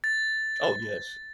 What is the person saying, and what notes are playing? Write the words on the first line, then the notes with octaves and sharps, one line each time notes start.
Oh, yes.
A6